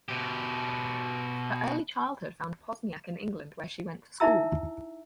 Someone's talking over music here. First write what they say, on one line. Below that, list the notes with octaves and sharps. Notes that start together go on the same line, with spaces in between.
Her early childhood found Pozniak in England where she went to school.
B2 G4
D#4 E4 E5 A#5 E6